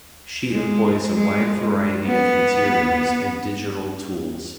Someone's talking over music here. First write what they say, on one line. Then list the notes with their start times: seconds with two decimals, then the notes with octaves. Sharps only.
She employs a wide variety of materials and digital tools.
0.51 G#3
1.13 G#3
2.07 B3